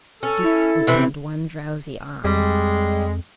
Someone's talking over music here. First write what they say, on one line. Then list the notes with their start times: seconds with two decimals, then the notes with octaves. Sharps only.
Duke opened one drowsy eye.
0.23 C#4 A4
0.42 E4
0.87 C3 E3 C4
2.25 F2 G3 G#3